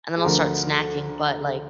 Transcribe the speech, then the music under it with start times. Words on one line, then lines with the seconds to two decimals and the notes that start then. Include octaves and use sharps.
and then I'll start snacking, but, like,
0.17 G#4
0.24 D2 D3 F3 A#4